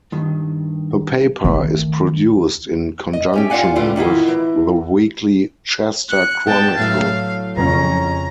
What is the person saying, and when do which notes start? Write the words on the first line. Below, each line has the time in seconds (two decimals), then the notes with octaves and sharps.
The paper is produced in conjunction with the weekly "Chester Chronicle".
0.12 G2 D#3
1.44 D#3 A3
3.13 D#5
3.33 A3 C#4 G4
3.50 F4 D5 F5 F#5 G#5
3.75 A2 E3 G3 F4
3.96 D#3 B3 E4 F4
4.28 E3
6.09 F#6 C#7
6.47 G3 B3 G5 A5
6.77 A2 F#3 E5 F5
7.56 F2 C#3 C#4 A#5